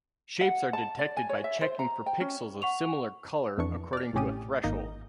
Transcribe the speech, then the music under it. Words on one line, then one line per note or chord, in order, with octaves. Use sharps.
Shapes are detected by checking for pixels of similar color according to a threshold.
F#5
A5
D5
G#5
C#5
E5
C5
A#5
G5
C#4
F#5 C#6 F7
F2 E3 D4 C#6
D5 F6
A1 A2 C3 C#4 G4 D#6
G#1 A#3 D#4 D#5 G6